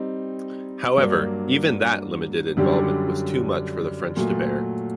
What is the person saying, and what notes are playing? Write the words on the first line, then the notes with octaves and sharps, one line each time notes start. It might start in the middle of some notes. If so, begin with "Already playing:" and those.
However, even that limited involvement was too much for the French to bear.
Already playing: G3 C4 D#4
G2 F#3 A#3 D4
F#2 D3 G3 D4 G4
A#2 F#3 A3